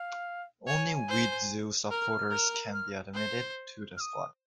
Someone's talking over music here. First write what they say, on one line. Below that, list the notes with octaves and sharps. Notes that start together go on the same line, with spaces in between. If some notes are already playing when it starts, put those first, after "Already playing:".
Only Widzew supporters can be admitted to the squad.
Already playing: F5
C#5 G#5
C5
A#4 F6
A#4
F6
C5
F6
D#6